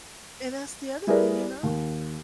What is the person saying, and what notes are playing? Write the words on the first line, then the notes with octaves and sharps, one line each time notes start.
And that's the other thing, you know?
G3 E4 G#4 A#4 B4 D5
D#2